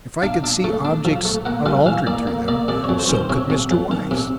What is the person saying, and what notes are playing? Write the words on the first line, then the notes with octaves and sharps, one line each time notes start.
If I could see objects unaltered through them, so could Mr. Weiss.
D4 F5
D4
A3
D4
F3
A3
A#3 F#5
G3 F5
E3 F5
A#3 D5
A#3
A#3 D5
C3 D5
C#5
F2
C5
D#3
C5
C3 C#5
C3
F2
D#3
C3